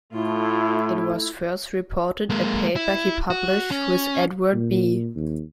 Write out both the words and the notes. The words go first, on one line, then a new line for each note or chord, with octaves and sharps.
It was first reported a paper he published, with Edward B.
A2 A3 E4 F4
G#3 A#3
E4
F#4
C#4
A#2
D#2